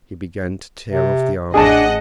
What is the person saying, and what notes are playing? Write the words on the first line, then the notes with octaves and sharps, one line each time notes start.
He began to tear off the armor.
C3
A1 D4 G#4 D#5 F#5 A5